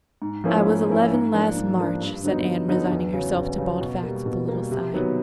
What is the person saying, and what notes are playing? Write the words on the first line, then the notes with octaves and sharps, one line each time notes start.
"I was eleven last March," said Anne, resigning herself to bald facts with a little sigh.
G#2
F3 A#3 C#4 E4
G#2
F3 A#3 C#4 E4
G#2
F3 A#3 D4
G#2
F3 A#3 D4
G2
D3 F#3 B3 D#4
G2
D3 F#3 B3 D#4
E2
C#3 F#3
E2
C#3 F#3
B2
G3 A#3
B2
G3 A#3
C3
D#3 F#3 B3